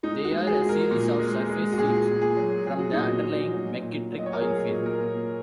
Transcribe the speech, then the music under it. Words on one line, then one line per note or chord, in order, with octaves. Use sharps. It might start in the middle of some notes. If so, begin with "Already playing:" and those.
They are a series of surface seeps from the underlying McKittrick Oil Field.
G#3 D#4
F#4
G#3
G#4
G#3
A#4
A#2
G#3
G#3
F#4
A#2 G#4
A#2
G#4
F#3
F#3 G#4
F#4
A#2 D#4
F#4
A#2
F#3
A#2
F#3
D#5
C#5
A#4
F#3 G#4
A#2
A#4
A#2